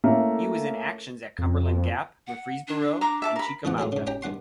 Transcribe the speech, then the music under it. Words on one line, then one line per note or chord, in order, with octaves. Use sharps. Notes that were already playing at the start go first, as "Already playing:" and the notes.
He was in actions at Cumberland Gap, Murfreesboro, and Chickamauga.
A3 A#3 C#4 E4 A4 A#4
F2
F#5
D4
D4 A#5 D6
E5 A5 D6
A#4 B5
E2 G#2 E3 F3 F#5
A2 F#3 G#3 D#4
G#2 C#3
C#4 D#4 G4 G5 A#5
G2 D#3 F#5 C6